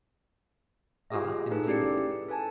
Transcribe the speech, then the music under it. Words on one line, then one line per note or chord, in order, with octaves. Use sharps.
"Ah, indeed?"
F4 G4 G#4 D#5
D#4 F4 G#4 A4 B4
C#4 G4 D5 C#7
E4
A4 B4 G#5 A5